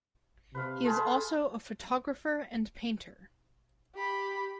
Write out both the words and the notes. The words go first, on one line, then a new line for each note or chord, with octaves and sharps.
He is also a photographer and painter.
C3 B4 F5
F4 G#4 A4 B4
G4 B5